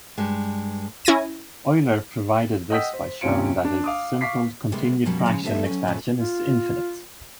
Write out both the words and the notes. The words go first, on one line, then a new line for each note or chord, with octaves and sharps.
Euler proved this by showing that its simple continued fraction expansion is infinite.
G2 G#3
C#4 E4 G#6 A#6 D#7
D#5 F#5 G5 D#6 E6 B6
C5
D#2 C3 C#4 F4 C#7 D7
D4
F5 D6 D#6
F5 C#6 D6 B6 C7
C3 G3 G#3 A#3 B3 F#4
F#2 B2 F#3 G3 A#3
C#3 F3 G#3
D3 G3 A3 B3 D#4 E5
F#3 C#4
A2 C#3 G#3 A3 B3
F4